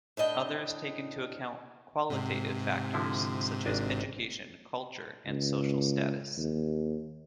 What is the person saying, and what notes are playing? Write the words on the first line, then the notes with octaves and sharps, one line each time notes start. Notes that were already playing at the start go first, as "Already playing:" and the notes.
Others take into account qualitative factors, such as education, culture, and social status.
A2 D4 D#5 G5
G#2 C3
D3 F3 E4
G#1 D4 D#5
C#2
D#2